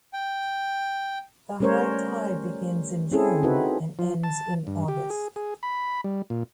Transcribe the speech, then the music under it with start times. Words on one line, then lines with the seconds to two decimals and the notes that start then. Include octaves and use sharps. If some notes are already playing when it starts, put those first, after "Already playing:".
The high tide begins in June and ends in August.
0.13 G5
1.60 G3 A3 C#4 A#4 C5 C#5
3.12 C4 C#4 E4 G#4 A4
3.43 C4 D#4 F#4 B4
3.99 F3
4.24 A5
4.67 G2
4.88 G4
5.10 G#4
5.36 G#4
5.63 B5
6.04 G3
6.30 A#2